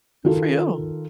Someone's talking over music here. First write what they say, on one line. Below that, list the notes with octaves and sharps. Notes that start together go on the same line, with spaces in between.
Good for you.
D#3 F4 A4 A#4